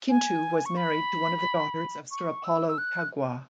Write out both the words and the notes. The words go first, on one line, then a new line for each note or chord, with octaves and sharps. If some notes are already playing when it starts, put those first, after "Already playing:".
Kintu was married to one of the daughters of Sir Apollo Kaggwa.
G#5
C#6
B5
C#6
E6
E6
F#6